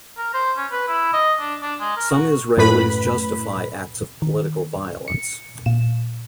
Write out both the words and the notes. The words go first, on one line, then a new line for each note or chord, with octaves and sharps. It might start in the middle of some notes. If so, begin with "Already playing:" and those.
Some Israelis justify acts of political violence.
A#4
C5
C#4
B4
E4
D#5
D4
D4
G#3
A#4
F#4
F#2 A2 B4 B5
D#3
C#7
A#2 E7